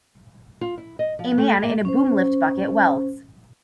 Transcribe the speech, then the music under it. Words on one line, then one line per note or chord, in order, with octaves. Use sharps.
A man in a boom lift bucket welds.
F4
E4
D#5
F3
A3
A#3
C#4 C5